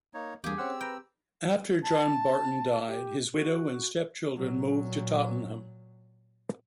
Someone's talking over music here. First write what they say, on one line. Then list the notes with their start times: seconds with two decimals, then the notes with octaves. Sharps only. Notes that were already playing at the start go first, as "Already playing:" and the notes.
After John Barton died, his widow and stepchildren moved to Tottenham.
0.14 A#3 D#4 C#5
0.44 E2 G2 A#3 G4 G#4
0.58 C4 C#4 C5 F#5 E6
0.81 B4 G5 A#5
1.83 A5
2.88 G4
3.33 F#4
4.35 A#2 F#3